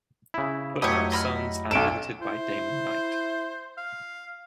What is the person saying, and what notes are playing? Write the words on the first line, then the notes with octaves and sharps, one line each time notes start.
Putnam's Sons and edited by Damon Knight.
C#3 E4
F2 F#3 A3 E4 G4 C#5 D#5
D#5 B5 F6
B1 A4 D7 E7
E4 C5
F5